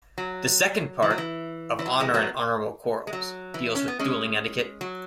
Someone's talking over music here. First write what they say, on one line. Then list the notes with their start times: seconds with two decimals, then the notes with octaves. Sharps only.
The second part, "Of Honor and Honorable Quarrels"," deals with dueling etiquette".
0.18 F#3
1.02 E3
1.10 F#3
1.18 E3
1.79 E3
1.86 F#3
2.00 E3 G#3
2.14 F#3 B3
3.07 G#3
3.13 F#3
3.54 E3
3.75 C#4
3.88 B3
3.99 G#3 C#4
4.81 F#3